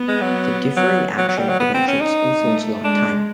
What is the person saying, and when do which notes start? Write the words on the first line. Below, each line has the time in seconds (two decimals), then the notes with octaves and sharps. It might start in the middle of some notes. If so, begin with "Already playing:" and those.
The differing action dimensions influence lock time.
Already playing: B3
0.08 G#3
0.21 F#3
0.77 F#3
1.18 F#3
1.28 F#3
1.38 G3
1.49 F#3
1.60 B3
1.74 C4
1.87 C#4
2.01 D#4
2.43 A3
2.84 G#3 D4